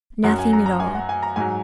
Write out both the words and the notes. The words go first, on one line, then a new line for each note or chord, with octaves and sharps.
Nothing at all.
F#2 F#3 F#5
G#5
A#5
A#5
G#5
F#5
G#5
A#5
G#2 F#3 G#5